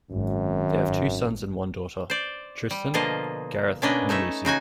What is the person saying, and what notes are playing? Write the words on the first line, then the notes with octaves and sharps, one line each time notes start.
They have two sons and one daughter, Tristan, Gareth and Lucy.
G#1 F#2
C5 D5
G3
B2 D3 F3 A#3 F4 D#5
B2 A#3 C#4 D4 B4 D#5
A3 D#4 C#5 E5
C#3 D#4 F#4 G#5